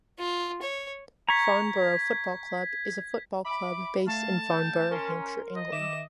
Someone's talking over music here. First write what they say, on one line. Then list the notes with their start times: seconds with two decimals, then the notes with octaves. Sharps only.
Farnborough Football Club is a football club based in Farnborough, Hampshire, England.
0.19 F4
0.62 C#5
1.29 A#5 C#6 G#6 B6
3.45 E5 B5 D6
4.07 A3 F5 A5
4.51 G5
4.91 C#4 A#4 C6
5.56 D#5
5.72 D#3 E5 D6 E7